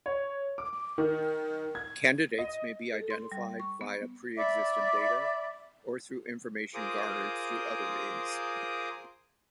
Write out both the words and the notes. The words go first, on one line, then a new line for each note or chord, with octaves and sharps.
Candidates may be identified via pre-existing data or through information garnered through other means.
C#5
D6
D#3
G#6
D#5
A4
C6
G3
C#6
B3
D5 E5 B5 D6
F4 G#4 A#4 C5 D6 D#6